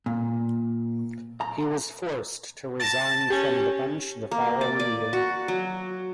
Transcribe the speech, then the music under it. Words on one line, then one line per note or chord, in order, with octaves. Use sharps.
He was forced to resign from the Bench the following year.
A#2
A#5
A5 A6 A#6
C#4 G4 G#5
A#3
D5
D5
F#4
F#3